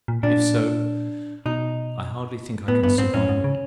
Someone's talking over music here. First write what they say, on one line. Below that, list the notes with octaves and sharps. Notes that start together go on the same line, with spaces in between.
If so, I hardly think I can survive it.
A#2
A#2 D4
B2 D#4
A2 B3
G2 B3
G#2 C4
A2 C#4
G#2
C#3